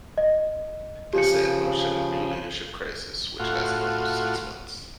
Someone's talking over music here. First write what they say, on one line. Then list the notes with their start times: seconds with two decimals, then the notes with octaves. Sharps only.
This set in motion a new leadership crisis, which lasted almost six months.
0.18 D#5
1.13 C#3 F3 G4 C#7
3.39 A2 F4 F#4